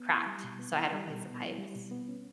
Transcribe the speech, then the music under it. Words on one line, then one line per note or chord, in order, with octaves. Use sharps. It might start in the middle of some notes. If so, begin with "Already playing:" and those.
cracked, so I had to replace the pipes.
Already playing: B3
E4
G3
B2
B3
E4
G3
B2
B3
E4
G3
B2
B3
C#4